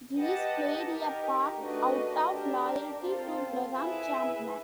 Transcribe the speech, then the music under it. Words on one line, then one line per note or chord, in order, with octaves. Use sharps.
Cleese played a part out of loyalty to Graham Chapman.
G4 B4 D#5 F#5 A5
D#4 G4 A#4
A3 D4 F#4 B4 D#5
D4 G4 A#4
C4 F4 A4 C5
E4 G#4 B4 E5